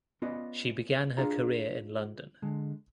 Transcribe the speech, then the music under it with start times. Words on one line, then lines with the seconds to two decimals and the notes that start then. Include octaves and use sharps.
She began her career in London.
0.22 B3 C#4 F4 B4 D5 D#5
1.17 D4 F4 G#4 A#5
2.42 D3 G#3